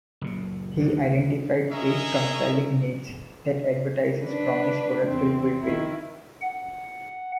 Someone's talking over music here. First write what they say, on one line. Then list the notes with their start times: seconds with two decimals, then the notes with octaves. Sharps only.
He identified eight "compelling needs" that advertisers promise products will fulfill.
0.21 F#1 A#2
0.80 D2
1.72 G#4 A#4 C#5 D#5 E5 A#5
4.25 D4 B4
5.05 E2 C4
5.61 D#3 E4
6.42 F#5